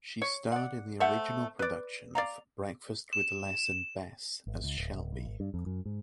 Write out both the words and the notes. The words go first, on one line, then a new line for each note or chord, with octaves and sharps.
She starred in the original production of "Breakfast with Les and Bess" as Shelby.
C#5
D5 F#5
A3 C5 E5 F#5
B4 D5
D5 F5 A#5
E7
G#1
C#2
D1
D1
B1
G#1
G2
F2
F#2
G#2